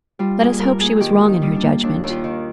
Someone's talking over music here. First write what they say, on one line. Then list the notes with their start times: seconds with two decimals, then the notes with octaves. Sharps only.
Let us hope she was wrong in her judgement.
0.19 G3 F4
0.39 A#3 G#4
0.59 G2 A#4
0.81 A#3 G#4
1.00 D#3 G4
1.22 D#3
1.28 D#4
1.42 G3
1.56 D4
1.63 A#3
1.83 D#2 D4
2.04 D#2
2.10 F4
2.24 D#3